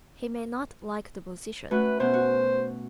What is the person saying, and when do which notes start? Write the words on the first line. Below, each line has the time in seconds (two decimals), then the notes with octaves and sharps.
He may not like the position.
1.71 A3 C#4 F#4 B4
2.00 B2 B3 C#4 C5
2.14 F#4